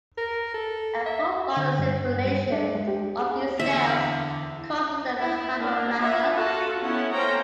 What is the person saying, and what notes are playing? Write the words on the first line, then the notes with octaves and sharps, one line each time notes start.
A prolonged stimulation of these cells causes their hyperplasia.
A#4
A4
E5
D3
G2
G3
D4
G#3
G4
G#4
E2 D3 E4 G#4 E5
E4
A#3 D4
F4 E5 F#5
F4 F#4 A4
B3 C#4 E4 A4 F#5
A#3 C#4 A4 C5 G5 A#5